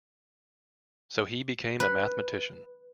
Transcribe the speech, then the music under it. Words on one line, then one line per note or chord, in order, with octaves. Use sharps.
So he became a mathematician.
B4